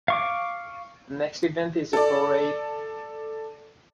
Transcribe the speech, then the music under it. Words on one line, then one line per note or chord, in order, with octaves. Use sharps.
The next event is a parade.
F5 C#6 D6
A4 D5